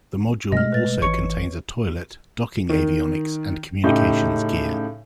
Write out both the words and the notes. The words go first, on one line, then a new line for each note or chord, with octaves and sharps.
The module also contains a toilet, docking avionics and communications gear.
B2 G#3 A3 D#5 F6
B4 A6
G#1 E3 C#5 C#6 C#7
D#3
A2 C#3 D#4 G4